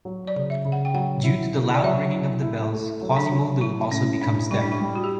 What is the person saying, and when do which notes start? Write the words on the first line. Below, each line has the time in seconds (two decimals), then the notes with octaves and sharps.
Due to the loud ringing of the bells, Quasimodo also becomes deaf.
0.05 F#3
0.27 D5
0.36 C#3
0.50 E5
0.65 C#3
0.72 F#5
0.85 G5
0.94 F#3 F#5
1.24 E4
1.54 C#3
1.74 D5
1.83 F#3 E5
2.13 E4
2.42 E4
2.73 A3
3.02 F#3
3.17 D4
3.31 F#3
3.61 A2 E4
3.91 A2 C#4
4.21 A2 D4
4.51 G3 E4
4.61 D4
4.72 E4
4.80 G3
4.95 F#4
5.04 G4